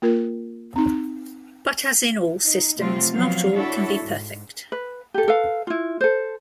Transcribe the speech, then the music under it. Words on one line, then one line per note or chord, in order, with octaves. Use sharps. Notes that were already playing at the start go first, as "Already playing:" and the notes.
But as in all systems, not all can be perfect.
A#3 F4 A#4
C4 D#4
D#4
C3 F3 F#3 A3 C4 F4
F3 F#3 B3 C4 F5
D4 E4 F#4 A4 C#5 E5
G#2
B4
G4 A4
A4 B4 F5
E4 F4
A4 C5